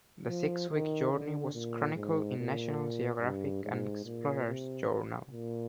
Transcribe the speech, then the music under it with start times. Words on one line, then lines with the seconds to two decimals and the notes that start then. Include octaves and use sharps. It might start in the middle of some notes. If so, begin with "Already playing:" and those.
The six-week journey was chronicled in "National Geographic" and "Explorers Journal".
0.28 F3
0.70 D#3
1.12 D3
1.54 A#2
1.95 G#2
2.38 A#2
3.21 G2
3.63 G#2
4.05 A#2
4.47 C3
5.32 A#2